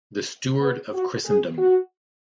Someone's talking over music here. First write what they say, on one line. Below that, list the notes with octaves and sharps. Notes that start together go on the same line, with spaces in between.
The Steward of Christendom.
B3
F#4
G#4
F#4